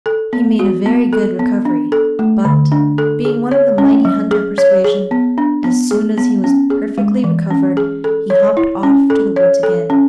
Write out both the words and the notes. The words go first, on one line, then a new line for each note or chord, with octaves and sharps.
He made a very good recovery; but, being one of the mighty-hunter persuasion, as soon as he was perfectly recovered, he hopped off to the woods again.
A4
B3
F#4
B3
A4
B3
D4
A4
A3
D3
D4
A4
G#4
C#5
C#4
F#3
G#4
C#5
G#4
B3
D4
B3
G#4
B3
C#4
G#4
G#3
E3
C#4
G#4
A4
C#5
E4
C#4
A4
C#5
A4
C#4